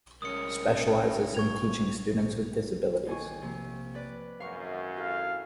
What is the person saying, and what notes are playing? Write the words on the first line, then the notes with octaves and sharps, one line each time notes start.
Specializes in teaching students with disabilities.
C2 C#4 A#4 D#6 C#7
C#6 G#6 F7
D#2 G#5 C#6
C3 F3 A#3
B4 D5 F#6
G#1 F#2 F5 C#6
E4 G4 A4 F5